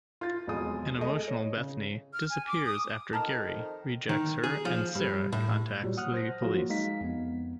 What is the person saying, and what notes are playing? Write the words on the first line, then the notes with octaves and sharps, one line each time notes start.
An emotional Bethany disappears after Gary rejects her and Sarah contacts the police.
F4 A6
E1 F2 F#3 G#3 D#6
A3 G#4 D#5
C#5
C#3
F6
G#5
D6
D#6
F2 D#3 A5 A#5 F6
D#3
G#4
F3
G2
A2
A#2 F#3 G3
F#5 D#6 F6 F#6
C5 A#6
F3 F#3 A#3 F4 F#4
G#3 D#4 F5 B6
F2 B3